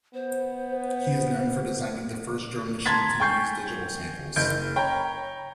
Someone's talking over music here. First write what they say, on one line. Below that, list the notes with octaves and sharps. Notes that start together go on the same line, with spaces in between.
He is known for designing the first drum machine to use digital samples.
B3 C5
A5 A#5 C6 G#6 A6 B6
G5 G#5 C#6 G6 C7
F#1 G6 D7
C#5 G5 A#5 B5